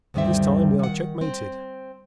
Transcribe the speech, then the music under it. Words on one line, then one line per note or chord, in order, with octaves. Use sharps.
"This time we are checkmated."
D2 G2 D#3 G3 C4 E5
D#3 F#5
C4